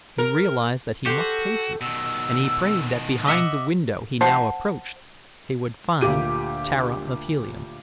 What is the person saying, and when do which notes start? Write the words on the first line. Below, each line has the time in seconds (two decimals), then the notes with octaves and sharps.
He realized that he must hasten and he prayed that behind the window he now approached he would find Tara of Helium.
0.18 A#4
1.06 F#4 G4 A4 C5
1.81 B2 D#3 E6
3.27 D#5 E5 F#5 D6
4.21 C5 F#5 A5
6.01 D2 A#2 F4 G4 D#7